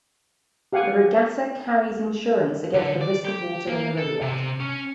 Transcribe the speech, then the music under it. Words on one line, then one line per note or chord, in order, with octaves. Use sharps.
The regatta carries insurance against the risk of water in the riverbed.
G4 F5 F#5 G#5
D3
D5
G4
A#3
A4
C3
C#4